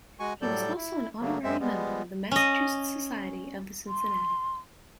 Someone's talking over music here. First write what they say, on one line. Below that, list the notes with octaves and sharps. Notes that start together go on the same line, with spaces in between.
He was also an honorary member of the Massachusetts Society of the Cincinnati.
G#3 F#4 G#5 C#6
A2 F#3 G3 A4 D5 G6
E4
C#3 F#3 A3 A#3
F#2 G#3 C4 E5
G3 G#3 B3
C#4 D#5
C6